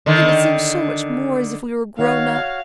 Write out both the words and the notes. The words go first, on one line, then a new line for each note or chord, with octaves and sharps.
It would seem so much more as if we were grown up.
D3 D#3
D#3 F#4 C#5 F5